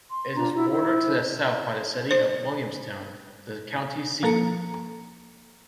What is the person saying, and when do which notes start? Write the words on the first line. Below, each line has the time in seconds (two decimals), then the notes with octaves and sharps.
It is bordered to the south by the city of Williamstown, the county seat.
0.10 C6
0.35 D4 F4 A#5
0.55 E4 F#4
0.71 E4 C5
2.11 C5
4.23 F3 A#3 A4 A#5 C#7